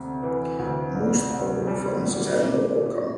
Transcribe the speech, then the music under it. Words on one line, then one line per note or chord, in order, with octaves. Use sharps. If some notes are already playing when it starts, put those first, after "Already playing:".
Most of the performances had no outcome.
Already playing: D2 C3
E3
D2
C2
C2
G3
A#2
A#2
A#2